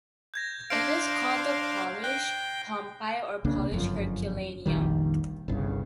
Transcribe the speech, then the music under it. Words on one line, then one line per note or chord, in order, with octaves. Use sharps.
It was called the "Polish Pompeii" or "Polish Herculaneum".
G6 G#6 A#6
D4 C5 F5 A#6 C7 D7
G5 F#6
C2 C#3 A#3 D4
G1 F#2 F3
F1 A#1 D#3 G3
G1 C2 G2 C#3